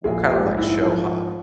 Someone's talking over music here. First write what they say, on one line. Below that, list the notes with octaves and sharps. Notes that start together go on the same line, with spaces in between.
we'll kinda like show hop.
A#1 G#4
G4
G#2
E4
F3